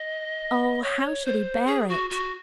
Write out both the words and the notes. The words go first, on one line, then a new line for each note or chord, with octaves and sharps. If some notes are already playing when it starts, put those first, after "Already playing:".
Oh! how should he bear it?
Already playing: D#5
C#5
C5
G#4
F#4
F#4